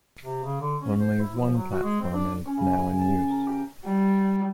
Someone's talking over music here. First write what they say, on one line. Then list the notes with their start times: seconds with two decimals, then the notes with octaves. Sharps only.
Only one platform is now in use.
0.24 C3
0.44 C#3
0.61 D3
0.82 C#4
1.00 C5
1.21 E4
1.35 F3
1.56 F#3
1.72 F#4
1.83 G#3
2.01 C4
2.14 D4
2.46 C#4
2.57 C#3
2.79 G#5
2.99 A5
3.30 A#4
3.47 G4
3.85 G3